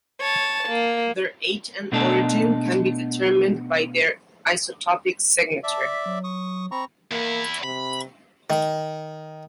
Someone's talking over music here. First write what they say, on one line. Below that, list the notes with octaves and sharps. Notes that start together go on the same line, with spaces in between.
Their age and origin can be determined by their isotopic signature.
C#5 A5
A#3
B2 A3 D4 D#4 A4
D5 E5 A5
B6
F#3
C#6 D#6
C4 A#5 B5 C#6
E2 A#3 E4
C3 B5
D#3